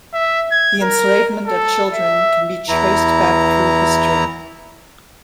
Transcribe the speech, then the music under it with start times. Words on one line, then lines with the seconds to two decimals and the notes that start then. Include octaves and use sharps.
The enslavement of children can be traced back through history.
0.13 E5
0.52 G#6
0.83 A#4
1.47 A4
1.93 E5
2.69 E2 E3 E4 A#5